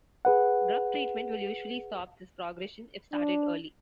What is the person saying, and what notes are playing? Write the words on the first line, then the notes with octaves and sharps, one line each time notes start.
Drug treatment will usually stop this progression if started early.
G#4 B4 F#5
D4